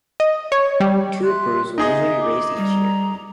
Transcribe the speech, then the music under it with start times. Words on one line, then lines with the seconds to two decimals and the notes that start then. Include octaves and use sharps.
Two broods will usually be raised each year.
0.20 D#5
0.52 C#5
0.80 G3
1.24 E5 C6 F#6
1.78 D#4 G#4 D#5 E5
2.22 D6
2.57 G3 A#5